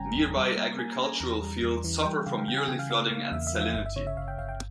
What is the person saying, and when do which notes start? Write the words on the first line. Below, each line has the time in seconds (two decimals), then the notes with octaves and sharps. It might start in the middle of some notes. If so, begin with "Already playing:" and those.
Nearby agricultural fields suffer from yearly flooding and salinity.
Already playing: G1 C#3 G3 C#4 G5 G#5 A#5
0.15 E2
0.36 G3
0.56 A#3
0.78 A#3 G#5
0.93 A#5
0.99 C#4
1.06 A#5
1.20 E2 A#5
1.41 G3
1.62 E2
1.84 E3
2.05 G3 G5
2.26 C#3 F5
2.48 C#3 G5
2.58 G#5
2.68 C#3 G5
2.79 F5
2.90 A#3 F5
3.11 A#3
3.32 E2 E5
3.47 E5
3.53 F3
3.61 E5
3.74 G1 E5
3.86 E5
3.96 C#3 C#5
4.07 E5
4.17 G1 F5
4.28 G5
4.38 G1 F5
4.49 G5